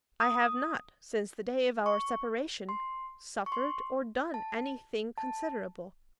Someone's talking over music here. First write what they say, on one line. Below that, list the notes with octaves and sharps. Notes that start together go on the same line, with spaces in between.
I have not, since the day of our separation, suffered or done any thing considerable.
D#6
C#6
C6
C#6
C6
A5
A5